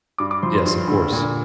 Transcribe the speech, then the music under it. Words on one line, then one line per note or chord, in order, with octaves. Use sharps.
Yes, of course.
G2 D6
D6
F3 C6
C6
G2
D3
A#2